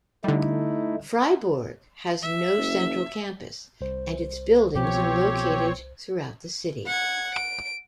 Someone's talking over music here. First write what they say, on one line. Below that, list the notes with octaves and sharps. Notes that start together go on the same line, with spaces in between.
Fribourg has no central campus and its buildings are located throughout the city.
D3 G3 A3 D#4 E4
E5
F#1
C2 C5
B2 F3 C4 G4 C#5
F#5 G#6
D7